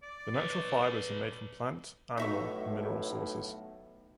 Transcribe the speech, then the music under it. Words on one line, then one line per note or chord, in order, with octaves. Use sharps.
The natural fibers are made from plant, animal and mineral sources.
D5
B4 C#5
B1 A2 D#4 E5 C#6